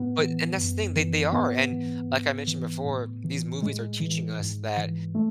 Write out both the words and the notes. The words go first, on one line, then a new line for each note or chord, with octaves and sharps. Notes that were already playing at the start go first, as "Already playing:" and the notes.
But and that's the thing, they they are. And, like I mentioned before, these movies are teaching us that
Already playing: A2 B3
E3
F#2
E3
G#2 B3
E3
G#2
E3
A2
E3
A2 G#3
E3
G#2
E3
A3